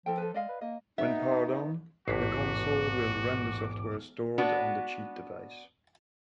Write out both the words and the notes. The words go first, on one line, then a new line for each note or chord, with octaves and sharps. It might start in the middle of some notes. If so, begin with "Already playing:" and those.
When powered on, the console will run the software stored on the cheat device.
F3 E4 A4 G5
A4 B4
G#3 D5 D#5 F5
B4
A#3 D#5
B3 D#4 E5
E1 A1 G#2 F#4 D6 B6 C7
B3 D4 F#4 B4